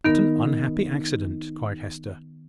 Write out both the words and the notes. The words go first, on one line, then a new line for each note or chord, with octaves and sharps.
"What an unhappy accident!" cried Hester.
D#3 B3 D#4 A#4